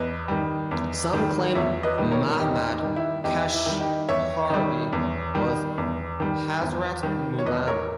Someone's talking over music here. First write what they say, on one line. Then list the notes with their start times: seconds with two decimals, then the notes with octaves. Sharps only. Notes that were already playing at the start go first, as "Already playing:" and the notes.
Some claim Mahmad Kashghari was Hazrat Mullam.
Already playing: E2 B4 D#5
0.28 D#3 G3
0.71 E2
1.13 D#3 G3
1.55 E2 C#5 E5
1.83 B4 D#5
1.98 D#3 G3
2.11 A#4 C#5
2.40 E2 D#4 G4
2.68 D#4
2.82 D#3 G3
2.96 E4
3.24 E2 D#4 G4
3.52 E4
3.66 D#3 G3
3.80 D#4 G4
4.09 E2 C#5 E5
4.50 D#3 G3
4.93 E2
5.35 D#3 G3
5.78 E2
6.20 D#3 G3
6.61 E2
7.03 D#3 G3
7.39 C#5
7.45 E2 B4 D#5
7.67 A#4 C#5